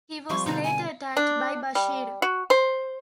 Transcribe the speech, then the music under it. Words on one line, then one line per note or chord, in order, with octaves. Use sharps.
He was later attacked by Bashir.
F3 G3 C4 C#6
B2 D3 D#4
G#5
D4
G3
F#4
C5